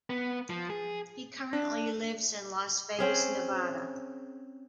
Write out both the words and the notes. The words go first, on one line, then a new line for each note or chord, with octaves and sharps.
He currently lives in Las Vegas, Nevada.
B3
F3
G#4
D4
C4 C#4 G#4